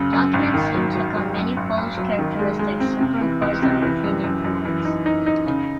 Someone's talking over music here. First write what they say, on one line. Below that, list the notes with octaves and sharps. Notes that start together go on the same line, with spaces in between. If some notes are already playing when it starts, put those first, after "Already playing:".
Documents soon took on many Polish characteristics superimposed on Ruthenian phonetics.
Already playing: F#2 C#3
F#2
G#1
D#3
F#3
F#3
F#3
F#2
G#1
G#1
F#3
D#3
G#3
G#3
C4
C3
E3
C#2
C3
E3
F#2
F#2
F#2
E3
D#4
D#4
D#4
C#3